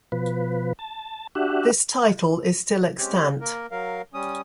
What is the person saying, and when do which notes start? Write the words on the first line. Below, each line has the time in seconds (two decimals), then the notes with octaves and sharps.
This title is still extant.
0.12 B2 F3 B4
0.79 A5
1.35 D4 F#4 G4 E5 F#5
2.98 G#3 C4 C#4 G4
3.41 A#3 A#4
3.71 F#3 A#4 F5
4.14 G3 C#4 D#6